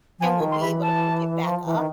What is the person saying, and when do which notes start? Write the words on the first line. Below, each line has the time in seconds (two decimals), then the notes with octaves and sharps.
and we'll be able to pick it back up.
0.19 F3 G#5
0.40 D#3
0.51 C6
0.61 E3 B5
0.82 A5
1.44 F3
1.64 E3
1.75 D#3